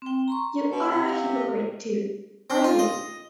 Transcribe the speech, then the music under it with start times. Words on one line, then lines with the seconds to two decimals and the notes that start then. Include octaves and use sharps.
You are a hypocrite, too, are you?
0.02 C4 G5
0.28 A#5 C6 C#6
0.71 B2 C#5
0.91 C3 F#5
1.09 F5
2.50 C4
2.64 F4
2.79 D#5